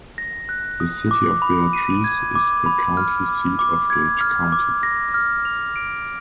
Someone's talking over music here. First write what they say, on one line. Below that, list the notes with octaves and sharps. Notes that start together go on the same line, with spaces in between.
The city of Beatrice is the county seat of Gage County.
A#6
F#6
D#6
D6
B5
D#7
G#6
D6
B5
F6
D6
D6
G#6
F6
D6
A#6
F6
F7
D7